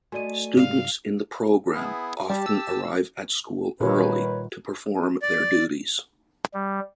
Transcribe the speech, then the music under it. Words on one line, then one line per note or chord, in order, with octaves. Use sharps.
Students in the program often arrive at school early to perform their duties.
A3 F#4 D5 D#5 G#5 D#7
G#2 C#3 G3 F5
B3 E4 G#4
G3 G4 A5
E6
A#2 D#3 G3 F4 B4 C#5
D5
G3